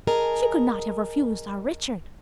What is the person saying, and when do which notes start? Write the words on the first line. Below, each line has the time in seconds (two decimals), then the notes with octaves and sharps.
She could not have refused our Richard.
0.07 G#4 A#4 D#5 G#5 A5